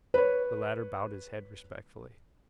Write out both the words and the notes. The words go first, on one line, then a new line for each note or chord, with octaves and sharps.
The latter bowed his head respectfully.
B4 C#5